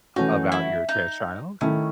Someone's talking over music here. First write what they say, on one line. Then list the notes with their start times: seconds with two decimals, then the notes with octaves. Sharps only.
about your trans child?
0.16 E3 A3 C#4 D#4 F#4
0.52 E4
0.89 D#4
1.61 D#3 A3 C#4 E4